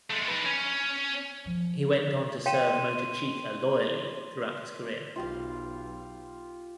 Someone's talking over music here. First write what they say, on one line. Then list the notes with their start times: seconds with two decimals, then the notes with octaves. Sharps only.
He went on to serve Motochika loyally throughout his career.
0.10 G#3 A3
0.28 D#4 B4
0.45 C#4
1.46 F3
2.46 C#5 F5 G5 C6 D#7 E7
5.16 B1 F4 G4 F5